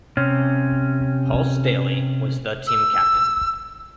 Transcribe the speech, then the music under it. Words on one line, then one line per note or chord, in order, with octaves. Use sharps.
Paul Staley was the team captain.
C3 C#4
E6